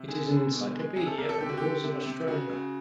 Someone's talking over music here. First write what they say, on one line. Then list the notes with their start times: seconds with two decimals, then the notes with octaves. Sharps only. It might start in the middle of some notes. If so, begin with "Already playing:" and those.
It is an encyclopaedia of the laws of Australia.
Already playing: C3
0.08 D3 G#4
0.30 D3
0.53 B2
0.75 G#3
0.96 C3 G#4
1.07 A4
1.18 C3 A#4
1.29 A4
1.41 D3 G4
1.49 F#4
1.57 D3 G4
1.84 C3
2.06 C3
2.27 C#3 F#4
2.50 C#3